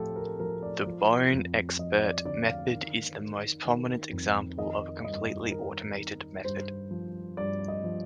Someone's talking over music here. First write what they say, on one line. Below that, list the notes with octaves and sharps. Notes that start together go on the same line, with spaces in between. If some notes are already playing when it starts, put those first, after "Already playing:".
The BoneXpert method is the most prominent example of a completely automated method.
Already playing: A2 F3 F4 G4 A4
A#4
F3 A#4
D5
F3
F2
F3 D#5
D5
D3 D5
F5
D#3
D#3
D#3
F2
D#3 D#5
G2 D#5
D#3 A#4
D#3
G2 C5
F3
G2 D5
D#5
F3